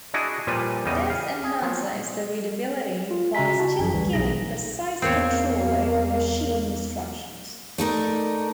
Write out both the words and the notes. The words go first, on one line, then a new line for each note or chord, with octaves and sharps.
This enhances the readability while still giving precise control over the machine instructions.
D4 E4 F#4 G#4 D#5
A#2 F3 G3 B4
E2 C#3 G3 D#5
F5
G#4
F3 F#3
F4
C#3 F#4 E5 A#5 B6
E4 F#4 A5
G#1 F#2 F3
D2 E3 G3
B1 D#4 G#4 A#6
E2 A#3 C4 A#4 C#5 F5
A3 D#4 A#4 D5